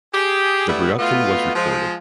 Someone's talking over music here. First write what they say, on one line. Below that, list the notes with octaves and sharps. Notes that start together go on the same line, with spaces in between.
The production was recorded.
G4 G#4
G3 A3 B3 D4 E4 G4
B2 A3 B3 F4
F3 G#3